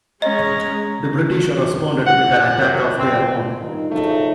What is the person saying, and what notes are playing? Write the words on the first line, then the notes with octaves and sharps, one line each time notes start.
The British responded with an attack of their own.
G#3 C#4 C#5 D#5 A#5
F#5
F#2
C4
G2 D#3 F3 D#4
C#3 F3 F#3 A3 D#4